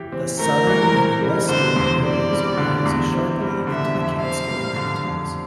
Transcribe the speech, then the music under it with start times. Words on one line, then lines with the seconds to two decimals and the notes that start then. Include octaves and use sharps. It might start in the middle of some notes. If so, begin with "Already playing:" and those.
The southern and western areas rise sharply into the Catskill Mountains.
Already playing: E3 G4
0.12 C4
0.39 A3 A#4
0.67 E3
0.94 C4
1.21 G3
1.49 D3 C5
1.76 E2
2.03 C4 D5
2.31 G3
2.57 D3
2.86 E2
3.13 C4
3.41 G3
3.67 D3 E5
3.95 F2
4.22 C4 F5
4.49 G3
4.76 D3
5.04 F2